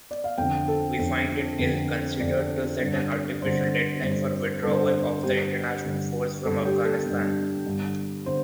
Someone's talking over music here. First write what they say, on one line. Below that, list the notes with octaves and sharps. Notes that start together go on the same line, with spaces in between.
We find it ill-considered to set an artificial deadline for withdrawal of the international force from Afghanistan.
D5
F5
F2 D3 G5
A4
F2 D3
F2 D3
F2 D3 D5
G2 D3
G2 D3 C5
G2 D3
G2 D3 A4 C5
A4
G2 D3 G4
G2 D3
G2 D3 A4
G4
A4
G2 D3
G2 D3
D3 C5